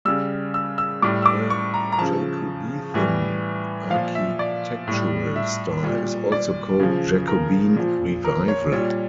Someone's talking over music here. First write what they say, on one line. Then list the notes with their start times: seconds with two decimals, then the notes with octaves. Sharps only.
The "Jacobethan" architectural style is also called "Jacobean Revival".
0.05 C#3 G3 E6
0.54 E6
0.78 E6
1.02 A2 G3 D6
1.22 E6
1.26 D6
1.50 C#6
1.74 A#5
1.92 A#5
1.98 C#3 F3 A5
2.94 A2 E3 G3
3.90 F3 F5
3.96 A#2
4.15 E5
4.39 D5
4.88 A2 G3
5.36 E5
5.83 A#2 G3
6.32 D5
6.80 C#3 F3
7.28 A#4
7.76 A#2 F3
8.24 A#4
8.48 C#5
8.72 A#2 G3 C#5